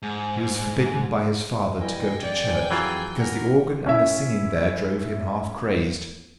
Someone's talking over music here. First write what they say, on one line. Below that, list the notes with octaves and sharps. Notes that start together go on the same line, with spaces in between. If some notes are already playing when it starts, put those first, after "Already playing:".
He was forbidden by his father to go to church, because the organ and the singing there drove him half crazed.
G#2
E3 G3 D#5 G5 G#5
F2 D5 G6 C#7
E3 F#3 F4 G#4
A#4 F#5
C#4 E4 E5